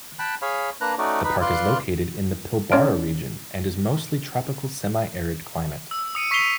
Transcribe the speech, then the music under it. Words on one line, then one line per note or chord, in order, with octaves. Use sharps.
The park is located in the Pilbara region, and is mostly tropical semi-arid climate.
G5 A5 B5 F#6
G#4 C#5 F5 B5
A#3 D4 B4 A#5 F#6
A3 C#4 D#4 F#4 D5
D#4 B4 B5
F4 B4 D5 F5 C6 F#6
C#4 C#5 D5 C6 F6 D7
E6
D#6 C#7 D#7
C#6 B6 C7 D#7 F7 G7